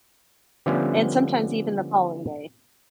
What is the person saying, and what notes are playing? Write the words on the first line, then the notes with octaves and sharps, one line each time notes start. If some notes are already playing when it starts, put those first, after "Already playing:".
and sometimes even the following day.
D3 F3 G3 A3 B3 C#4